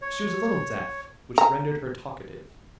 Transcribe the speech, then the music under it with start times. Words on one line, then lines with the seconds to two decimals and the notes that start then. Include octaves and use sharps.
She was a little deaf, which rendered her talkative.
0.02 C#5
1.38 A#5